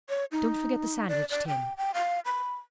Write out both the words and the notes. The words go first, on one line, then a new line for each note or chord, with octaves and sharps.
Don't forget the sandwich-tin!
C#5
D#4
D5
D5
G5
G5
F5
B5